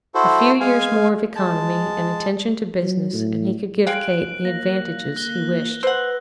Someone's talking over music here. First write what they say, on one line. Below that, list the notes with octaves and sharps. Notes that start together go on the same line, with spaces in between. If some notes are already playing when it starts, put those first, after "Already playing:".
A few years more of economy and attention to business and he could give Kate the advantages he wished.
E4 F#4 A4 C5
G#3 F5 G#5
G#3 A5
F#3
A2
G#3 F5 G5 F#6 D7 F#7
A#3 A#6
F#6 G7
B4 C5 F#5 E6